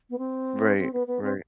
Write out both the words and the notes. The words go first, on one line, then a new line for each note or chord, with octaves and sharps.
Right, right.
B3
C4
C4
B3
B3
C4